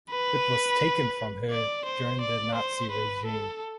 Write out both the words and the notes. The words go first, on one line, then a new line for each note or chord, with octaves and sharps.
It was taken from her during the Nazi regime.
B4
D5
C5
D5
C5
B4
A4